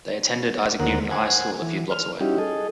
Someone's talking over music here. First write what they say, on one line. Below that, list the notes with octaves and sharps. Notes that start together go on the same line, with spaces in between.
They attended Isaac Newton High School a few blocks away.
D#2 D3 A#3 A#4 C5 F#5
C5 F#5 G#5
E3
F6
G3 C#4 D#4 E4 F#4 G4
G#4 A4 D#5